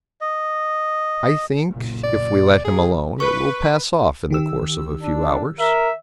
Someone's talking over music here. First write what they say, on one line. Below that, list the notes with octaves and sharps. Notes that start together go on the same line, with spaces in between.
"I think, if we let him alone, it will pass off in the course of a few hours."
D#5
F#1 B1 A#2
D5
C#3 F3 G#4
B4 C#6
D#3 G4 E6
D4
A#4 E5